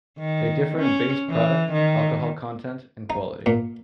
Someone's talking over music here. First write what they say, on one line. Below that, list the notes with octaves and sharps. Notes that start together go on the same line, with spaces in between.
They differ in base product, alcoholic content, and quality.
D#3
C#4
E3
D#3
D#4
A#2